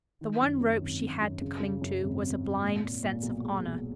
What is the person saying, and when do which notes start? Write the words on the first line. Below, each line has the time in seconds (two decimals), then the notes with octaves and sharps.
The one rope she had to cling to was a blind sense of honor.
0.21 D#3
0.41 F#2
0.61 F#2
0.81 G#1
1.01 F#2
1.22 F#2
1.41 C#3
1.61 C#3
1.82 F#2
2.02 G#1
2.22 G#1
2.43 G#1
2.62 A#2
2.83 A#2
3.03 A#2
3.23 B1
3.44 G#3
3.63 B1